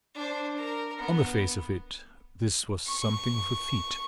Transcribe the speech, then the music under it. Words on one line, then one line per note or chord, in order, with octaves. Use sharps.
On the face of it this was something of a feat.
D4 C5
A#4
B3
C#6